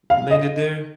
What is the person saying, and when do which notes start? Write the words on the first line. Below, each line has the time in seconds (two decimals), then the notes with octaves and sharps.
you landed there?
0.10 F5
0.31 D#5